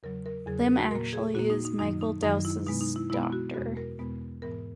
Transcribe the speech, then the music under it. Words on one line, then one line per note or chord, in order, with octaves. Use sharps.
Lim actually is Michael Dowse's doctor.
E2 C#3 F#3 A#4
A#4
E2 C#3 F#3 G#4
A#4
F#4
A#2 A#3 A#4
G#4
A#2 A#3 F#4
D#4
D#4
F#2 D#3 F#3 D#4
D#4
F#2 D#3 F#3 D#4
E4
B2 G#3 B3 D#4
D#4
E4
B2 G#3 B3 E4
E4
F#4
E2 B2 G#3 B3 F#4
A#4
E2 B2 G#3 B3
G#2 E3 B3 A#4